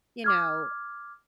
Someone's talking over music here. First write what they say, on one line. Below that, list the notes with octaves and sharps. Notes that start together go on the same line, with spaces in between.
you know
D6 F6 G#6